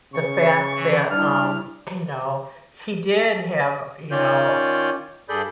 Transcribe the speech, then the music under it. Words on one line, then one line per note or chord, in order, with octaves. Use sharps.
the fact that, um, you know, he did have, you know
C#3 C#6
E3
G3 D4 E4 F6
D#3 C#4 F4 C#5 D5 G6
G2 G#4 A4 D5 B5 G6